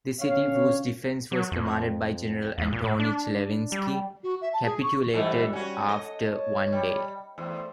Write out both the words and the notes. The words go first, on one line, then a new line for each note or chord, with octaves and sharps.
The city, whose defense was commanded by General Antoni Chlewinski, capitulated after one day.
D3 C#4 C#5 F5
F#3
F2
E2
A#2
A2
D4
G3
F#4
E5
A5
G#4
C#6
G#2 E3 G3 A3
C#4 F#4
A4 D#5
C#5 A5
G3
E2 A3 C5